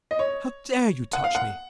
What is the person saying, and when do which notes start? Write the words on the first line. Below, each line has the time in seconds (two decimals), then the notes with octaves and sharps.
How dare you touch me?
0.11 D#5
0.19 C#5
1.13 F#5
1.24 F5
1.35 F#5